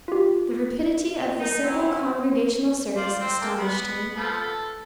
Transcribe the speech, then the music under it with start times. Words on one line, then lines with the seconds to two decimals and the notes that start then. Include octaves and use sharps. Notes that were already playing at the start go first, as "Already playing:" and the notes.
The rapidity of the simple Congregational service astonished him.
0.08 F4 G4
1.40 D#4
1.63 E3 F#3 C4 C#4 E4
2.96 F4 C5 D5
3.20 C4 C5
3.41 A#3 A4 G5
3.57 B3
4.16 F3 B3 A4
4.43 A4